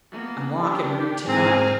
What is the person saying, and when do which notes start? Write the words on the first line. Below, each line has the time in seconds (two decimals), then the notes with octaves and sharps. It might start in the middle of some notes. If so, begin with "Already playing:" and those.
"Unlock and read to-night."
0.11 A#3 B3
0.57 D4 G4
1.27 G#2 C4 G#4 G#5 A#5 F6